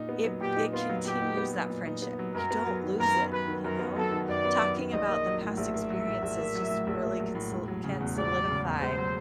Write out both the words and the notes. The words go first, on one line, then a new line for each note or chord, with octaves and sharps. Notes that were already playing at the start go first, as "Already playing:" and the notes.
it it continues that friendship, you don't lose it, you know, talking about the past experiences, just, really can sol can solidify
Already playing: A#2 D#4
B3
F#3
A#2 G4
D#4
B3 F4
F#3
A#2 G4
D#4
B3
F#3
A#2
D#4
B3
F#3
F#2 A#4
B3
F#3
D#3
F#2 A#4
B3
F#3 B4
D#3
F#2 A#4
B3
F#3 A4
D#3
F#2 D5
B3
F#3
D#3
A#1 D#5
A#3
F#3
A2
A#1 E5
A#3
F#3
A2
A#1
A#3
F#3
A2
A#1
A#3
F#3
A2
E1
F#3
C#3
E2
E1 D5
F#3
C#3
E2
E1 C5
F#3